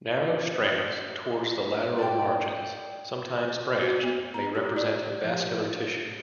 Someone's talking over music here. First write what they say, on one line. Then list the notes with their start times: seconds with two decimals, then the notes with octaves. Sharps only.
Narrow strands towards the lateral margins, sometimes branched, may represent vascular tissue.
1.98 D5 G5
3.81 F#4
4.04 B3
4.34 A#5
4.55 G4
4.76 D5
4.95 G4
5.23 F3